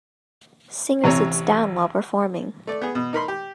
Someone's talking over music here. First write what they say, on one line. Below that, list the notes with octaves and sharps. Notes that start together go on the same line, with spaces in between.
Singer sits down while performing.
A1 C3 C#5 A#5
A3 D5
B3 G#4
B2
D#4 A#4 B5 C6
G4